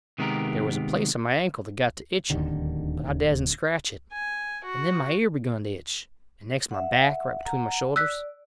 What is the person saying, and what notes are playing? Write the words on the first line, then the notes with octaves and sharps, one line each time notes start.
There was a place on my ankle that got to itching, but I dasn't scratch it; and then my ear begun to itch; and next my back, right between my shoulders.
C3 D#3 G#3 B3 G4 A#4
D1 D#2 D3 D#3
G#5
F#4
E5 F#5
F#5 A#5
D5 E6 F#6 B6